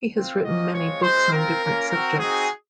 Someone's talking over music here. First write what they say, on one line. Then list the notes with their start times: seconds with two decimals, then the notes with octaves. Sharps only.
He has written many books on different subjects.
0.15 C4 F4
0.44 A#3 C#4 F#4 D#5
0.73 G#3 C4 F4 C#5
1.03 G#3 C#4 F#4 C5
1.31 C4 F4 A#4
1.62 A#3 C#4 F4
1.90 C4 F#4 A#4
2.19 C4 D#4 F#4 G#4